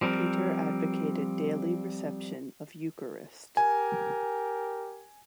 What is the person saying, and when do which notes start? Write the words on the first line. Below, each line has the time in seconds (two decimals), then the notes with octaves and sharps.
Peter advocated daily reception of Eucharist.
0.01 F3 G3 C4 A#4
3.57 G4 A#4 G#5